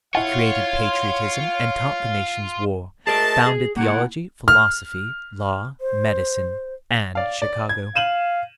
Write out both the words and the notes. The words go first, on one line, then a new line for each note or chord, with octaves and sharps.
He created patriotism and taught the nations war--founded theology, philosophy, law, medicine and Chicago.
E4 F4 C#5 F5 F#5
A3 G#4 A#4 D#5 A5
G#4
A#3 E4 F#5
F6
C5
D5 F5
D5
G#6
F5 D#7 E7 F#7